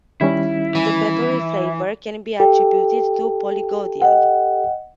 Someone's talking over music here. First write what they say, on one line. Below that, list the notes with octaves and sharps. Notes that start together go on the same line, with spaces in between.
The peppery flavour can be attributed to polygodial.
D#3 G3 C#4 E4
E3
G4 A4 G5
D#5 F#5 G5